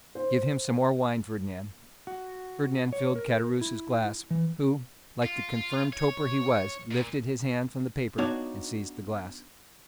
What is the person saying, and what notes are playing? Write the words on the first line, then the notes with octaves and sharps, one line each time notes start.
"Give him some more wine, Fernand." Fernand filled Caderousse's glass, who, like the confirmed toper he was, lifted his hand from the paper and seized the glass.
C5
F#4
C#5
A#4
E4
E3
F4
C#5
A#2
B3 D4 D#4 F#4 C#5 F5